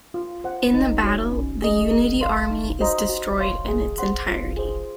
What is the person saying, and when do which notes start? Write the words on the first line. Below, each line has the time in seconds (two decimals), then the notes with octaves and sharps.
In the battle, the Unity Army is destroyed in its entirety.
0.14 F4
0.44 C5 F#5
0.74 D#4
1.03 F#4 C#5
1.32 C#4
1.62 G#4 D#5
1.91 A#4
2.21 F5 C6
2.51 D#4
2.81 F#4 C5 D#5 A#5
3.09 F#4
3.39 C#5 F5 C6
3.68 G#4
3.98 C5 F#5 C6
4.27 F4
4.57 G#4 C5